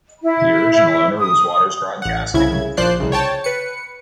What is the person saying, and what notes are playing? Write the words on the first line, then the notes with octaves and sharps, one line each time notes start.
The original owner was Waters Broadcasting.
E4
D#6
A1 F#5
C2 C#3 E4 G#6
A#1 F3 C5 D5 F#6 C7
C2 C#3
C#5 G5 A5
B4 C#7